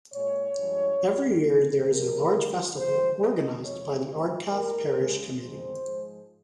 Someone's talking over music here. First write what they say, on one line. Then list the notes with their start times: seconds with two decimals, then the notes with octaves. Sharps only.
Every year there is a large festival organised by the Ardcath Parish Committee.
0.13 A#2 G#3 C#5
0.56 G2 F3 G#3
1.00 F2 D#3 G#3
1.44 D#2 C#3 F3
1.88 A#2 F3 G#3 A#4
2.32 G2 D#3 G3
2.76 G2 F3 G#3 C5
3.20 F2 D#3 G#3 D#5
3.64 F2 C3 F3 G#3 C#5
4.08 G#2 G3 C5
4.52 D#2 D#3 G#3 A#4
4.96 D#2 C#3 G#3
5.40 F2 D#3 G#3 C5
5.84 G#2 F3 G#3